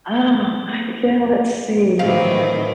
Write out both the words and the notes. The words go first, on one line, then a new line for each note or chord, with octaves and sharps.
Oh, I yeah, let's see.
A2 D#3 E3 F#3 C4 F5